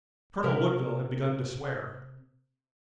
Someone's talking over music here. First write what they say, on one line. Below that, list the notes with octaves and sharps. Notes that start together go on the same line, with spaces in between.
Colonel Woodville had begun to swear.
C3 A#4 E5